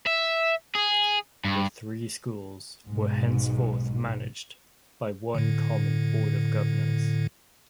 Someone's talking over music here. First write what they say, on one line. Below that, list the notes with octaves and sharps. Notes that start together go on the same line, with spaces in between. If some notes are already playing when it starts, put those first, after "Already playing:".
The three schools were henceforth managed by one common Board of Governors.
E5
G#4
G2
B1 G#2
A2 D3